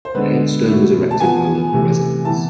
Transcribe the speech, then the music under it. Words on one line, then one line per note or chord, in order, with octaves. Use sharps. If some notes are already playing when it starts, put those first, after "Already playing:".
The headstone was erected by local residents.
C5
D3 G#3 B3 B4
B2 A3 E4
A5
F3 B3 F4 G#5
C3 E3 A3
E3 B3 E4 A5